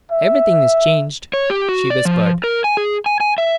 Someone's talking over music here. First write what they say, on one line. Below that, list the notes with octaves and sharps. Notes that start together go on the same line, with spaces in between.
"Everything is changed," she whispered.
E5
C#5
G4
F#4
D5
F3
A#4
G#5
G#4
G#5
G#5
E5